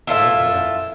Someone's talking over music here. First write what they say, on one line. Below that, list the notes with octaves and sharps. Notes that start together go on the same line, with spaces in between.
Oh, yeah,
E4 F4 A4 E5